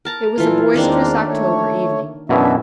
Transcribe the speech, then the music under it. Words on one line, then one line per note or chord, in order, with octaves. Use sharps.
It was a boisterous October evening.
A#4 A5 A#5
A#2 E3 F4 A4
E2 D#3 G#3 A#3 C4 D4
A3 C#5
F#2 B2 E3 D4 E5